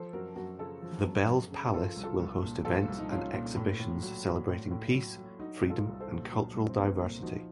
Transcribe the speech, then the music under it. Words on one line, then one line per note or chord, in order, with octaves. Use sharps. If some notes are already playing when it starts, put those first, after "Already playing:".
The Bells Palace will host events and exhibitions celebrating peace, freedom and cultural diversity.
Already playing: F3 A4 C5
F#2 F#4 A#4
F#2 F#4 A#4
C#3 F4 A4
F3
F#2
F#2
C#3
F3 F4 A4
C2
F4 A4
C2
A#2
F3 F4 A4
C2
D#4
C2 C#4 F4
A#2
A2
A2
F#3
F#3
A2
A2
F#3
F#3
F#3 D#4 F#4
C2
F4 A4
C2
A4 C5
A#2
F#3
C2
C4
C2 A#3
A#2
F3 D#4 F#4